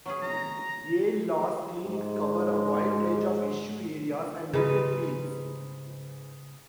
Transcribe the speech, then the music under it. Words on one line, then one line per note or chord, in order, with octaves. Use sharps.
Yale Law's clinics cover a wide range of issue areas and legal fields.
F#3 C#4 G#4
A#5
G#2 G#3
G#2 C#3 G#4 B4